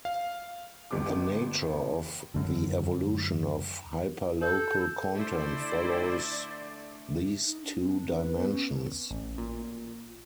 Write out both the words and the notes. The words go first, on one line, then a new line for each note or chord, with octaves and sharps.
The nature of the evolution of hyperlocal content follows these two dimensions.
F5
G1 G3 D6
F#2 D3
A4 G6
D3 A3 E4 C5 D5
D#4
D4
C4
D4
B4
B3
C#4
A1
A#2